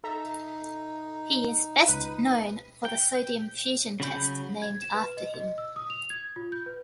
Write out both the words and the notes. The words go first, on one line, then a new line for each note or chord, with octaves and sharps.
He is best known for the sodium fusion test named after him.
D#4 A4 E5 A#5
C#2 B4 D#7
G5
C#3 F#3 B5 G6
G#6
E7
B4
D#5
D#5
E6
D#6
F7
G#6
F4
G6
B4